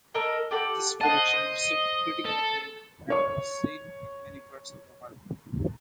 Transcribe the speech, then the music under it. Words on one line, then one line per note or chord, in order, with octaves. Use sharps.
This production received critical acclaim and was seen in many parts of the world.
A4 A#4 D#5
G4 A4 F#5
C5 D#5 F#5 A5
C5
A4
C#5 C#6